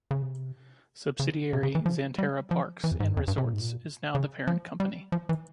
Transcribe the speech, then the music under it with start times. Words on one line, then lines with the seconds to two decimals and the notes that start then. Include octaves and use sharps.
Subsidiary Xanterra Parks and Resorts is now the parent company.
0.11 C#3
0.22 C3
1.19 C#3
1.53 C3
1.63 C#3
1.75 E3
1.86 F3
2.18 G3
2.51 F3
2.84 E3
2.91 F2
3.00 G#2
3.08 G2
3.17 F2
3.28 G2
3.38 C3
3.45 A#2
3.53 G#2
3.61 A#2
4.15 C#3
4.47 F3
4.80 G3
5.12 F3
5.29 E3